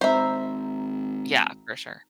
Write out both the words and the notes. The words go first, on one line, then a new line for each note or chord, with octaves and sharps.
Yeah, for sure.
G#1 C5 E5 A#5 B5